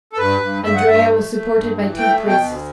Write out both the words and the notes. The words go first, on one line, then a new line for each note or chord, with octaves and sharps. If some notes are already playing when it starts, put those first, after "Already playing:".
Andrea was supported by two priests.
A4
G2 B4
G2
G2 E5
F#5
G2 E5
A3
A3
G2
E3
A3 G5
B2
G5
D2